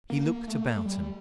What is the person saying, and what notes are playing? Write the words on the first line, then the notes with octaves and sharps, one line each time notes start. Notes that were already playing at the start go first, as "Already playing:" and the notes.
He looked about him.
A#3
A3
G3